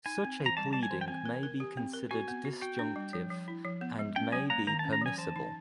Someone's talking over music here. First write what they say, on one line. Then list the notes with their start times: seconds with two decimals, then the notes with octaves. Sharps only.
Such a pleading may be considered disjunctive and may be permissible.
0.06 D#4 G#5
0.24 C4
0.40 E3
0.46 A#5
0.57 G3 A5
0.73 G3 A5
0.83 G#5
0.91 E3
1.01 G5
1.08 C4 G#5
1.26 A#4
1.43 A#4
1.60 G4
1.77 C4
1.93 A#4
2.11 F#4 G#5
2.28 B3
2.45 F#4
2.61 F#4 G5
2.79 D4
2.96 G3
3.13 F3
3.30 F3
3.48 E4
3.65 F3
3.81 B3
3.99 G#3
4.16 C#4 G5
4.32 F#3 G#5
4.50 A#3 A#5
4.67 D#3 A#5
4.79 A5
4.85 C#4
4.93 A#5
5.02 F#3 G#5
5.18 E3 A5
5.36 D#4